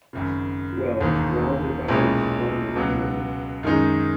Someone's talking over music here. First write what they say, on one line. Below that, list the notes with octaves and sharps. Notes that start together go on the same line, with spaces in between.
Well, round about one in the morning.
G#1 F#2 C#3
E1 D#2 D#3
B1 A#2 G#3 C#4 E4
C#2 B2 F#3
F#2 D#3 G#3 D#4